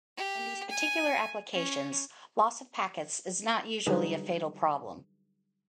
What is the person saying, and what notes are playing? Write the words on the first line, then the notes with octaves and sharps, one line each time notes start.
In these particular applications, loss of packets is not usually a fatal problem.
G4
G#5
C#4
D3 F#3 G3 D#4 G#4 B4